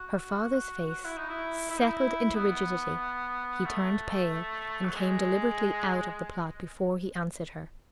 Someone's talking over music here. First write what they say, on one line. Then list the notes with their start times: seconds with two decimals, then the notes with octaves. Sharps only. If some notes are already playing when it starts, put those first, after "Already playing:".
Her father's face settled into rigidity, he turned pale, and came deliberately out of the plot before he answered her.
Already playing: F#4
1.04 E4
1.17 D#4
1.29 E4
1.71 E4
1.78 D#4
1.86 E4
2.35 B3
3.65 A3
4.85 F#3
4.95 G#3